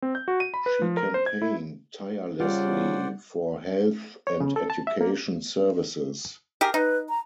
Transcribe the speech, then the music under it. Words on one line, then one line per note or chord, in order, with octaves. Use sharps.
She campaigned tirelessly for health and education services.
C4
G6
F#4
D#7
B5
B4
F3
A#4
C5
G#6
E4
C#3 G3 F4 G4 C5 D5 F#5
C#5
C#3
A4
A5
E5
A#3
G4 G#4 A#4
D#4 B4
A#5